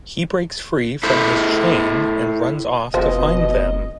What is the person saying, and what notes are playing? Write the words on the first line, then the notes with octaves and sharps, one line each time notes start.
He breaks free from his chain and runs off to find them.
E4 A4 C5
F1 B2 F3 C5 D#5